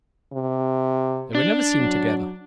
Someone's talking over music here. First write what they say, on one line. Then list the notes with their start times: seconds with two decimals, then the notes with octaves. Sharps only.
They were never seen together.
0.33 C3
1.35 D4
1.77 F#3